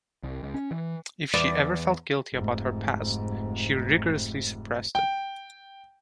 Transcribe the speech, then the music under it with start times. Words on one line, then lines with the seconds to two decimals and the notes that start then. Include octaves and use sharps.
If she ever felt guilt about her past, she rigorously suppressed it.
0.23 C2
0.43 C#2
0.54 C#4
0.71 E3
1.33 E2 D5
2.34 F1 G#2
4.95 G5